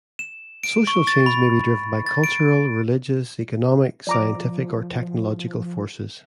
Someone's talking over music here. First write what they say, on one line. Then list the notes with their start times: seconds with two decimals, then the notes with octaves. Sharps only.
Social change may be driven by cultural, religious, economic, scientific or technological forces.
0.19 E7
0.64 D7
0.87 C#6
1.07 A6
1.26 B5
2.06 A6
2.24 D7
4.07 F3 D5 A#5 D6